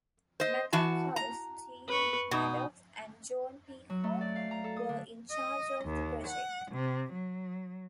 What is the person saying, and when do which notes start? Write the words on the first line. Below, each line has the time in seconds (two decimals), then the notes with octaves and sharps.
Matthew Colless, Steve Maddox and John Peacock were in charge of the project.
0.40 C5 D#5
0.73 E3 F#4 A5
1.16 A#5
1.88 B4 C#6
2.31 B2 D#4
3.90 F#3
4.04 A3
4.21 D5
4.36 F5
4.51 A#5
4.64 A4
4.76 D#6
4.89 D3
5.31 D#5
5.85 D#2
6.28 F#5
6.72 C3
7.13 F#3